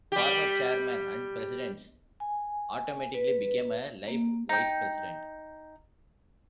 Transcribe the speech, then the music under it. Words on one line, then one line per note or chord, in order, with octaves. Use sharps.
Former Chairmen and Presidents automatically become a Life Vice-President.
G3 G4
G#5
B4
A#3
D#4 G5